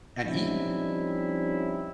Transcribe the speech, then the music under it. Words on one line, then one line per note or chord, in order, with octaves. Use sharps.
and eat,
F3 G3 C4 C#4 D#4 E4